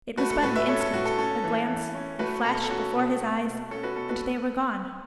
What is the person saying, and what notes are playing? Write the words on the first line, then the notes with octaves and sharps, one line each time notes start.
It was but an instant, a glance, a flash, before his eyes; and they were gone.
A3 F#4 B4
A4
A2 F#4 B4
B4 E5
C#4 A4 C#5
A4
A2 F#4
A4
C#4 A4
E3
E3
C#4
A3 F#4 B4
B2 A4
A4
C#4 F#4
B2
A3
B2
C#4 A4
F#4 B4
B2 A4
F#4 B4